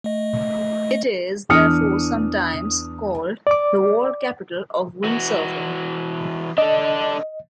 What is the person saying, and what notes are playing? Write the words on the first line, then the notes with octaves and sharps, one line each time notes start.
It is therefore sometimes called "The World Capital of Windsurfing".
A3 D#5
E2 D4 D#6 F6 C#7
D5 D6
E3 F#4
D4 A4 D#5